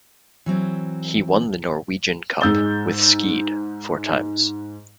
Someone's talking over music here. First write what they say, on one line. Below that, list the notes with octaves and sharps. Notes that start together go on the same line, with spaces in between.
He won the Norwegian cup with Skeid four times.
E3 F#3 C4
G#2 G#3 E6 G6 A6 G7